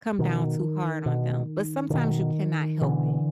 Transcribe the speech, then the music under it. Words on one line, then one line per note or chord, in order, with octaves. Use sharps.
come down too hard on them, but sometimes you cannot help it.
B2 D#3
B2
D3
B2 D#3
B2 D3 E3